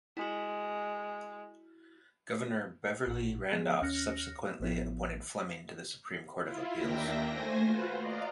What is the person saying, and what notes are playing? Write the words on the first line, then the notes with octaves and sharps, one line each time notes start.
Governor Beverley Randolph subsequently appointed Fleming to the Supreme Court of Appeals.
G#3 E4 F#4
A1 A#2 F#4
F3 B3 G#4
D#2 C#4 F6 F#6 A#6 C#7
A1 F3 B3 E4
E4 F4
D#2 A#3 D4 E5 G5 A#6
A3 C5 G#5 A#6
F4 F#4 B4 C5
D5 D#5 F5 A#5